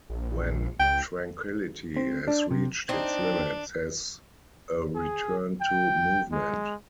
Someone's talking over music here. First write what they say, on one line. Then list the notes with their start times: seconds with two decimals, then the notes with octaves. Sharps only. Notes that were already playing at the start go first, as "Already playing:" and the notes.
When tranquility has reached its limit, there is a return to movement.
0.10 A#1
0.79 C#2 G5
1.97 C4
2.28 D4
2.51 C3
2.89 C4 D4 D#4
4.95 G#4
5.61 G5
6.32 G#3